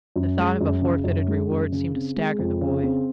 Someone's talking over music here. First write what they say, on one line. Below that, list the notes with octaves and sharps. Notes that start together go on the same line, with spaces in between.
The thought of a forfeited reward seemed to stagger the boy.
F#2
G#3
F#2
C#3
F#2
G#3
F#2
C#3
C4
G#3
F2
C#3
C4